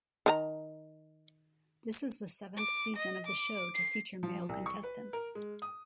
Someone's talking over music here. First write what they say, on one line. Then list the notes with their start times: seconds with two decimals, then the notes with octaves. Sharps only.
This is the seventh season of the show to feature male contestants.
0.26 D#3 G#4 A#5
2.57 D6
2.96 D#5
3.26 D6
3.75 C7
4.23 F3
4.49 C2
4.66 C#6
4.83 B4
5.13 A#4
5.35 G#3
5.62 D#6